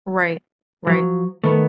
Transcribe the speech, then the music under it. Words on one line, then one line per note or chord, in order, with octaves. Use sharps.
Right. Right.
F3 F#3
D#3 A3 B3